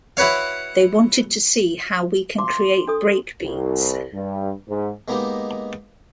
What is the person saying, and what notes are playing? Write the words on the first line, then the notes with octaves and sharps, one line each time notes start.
They wanted to see how we can create break beats.
E4 F#4 B4 C#5 F5
C6 D6
D4 A4 D#6
C2
G2
G#2
G#3 A#3 B3 D#4 G4 D#5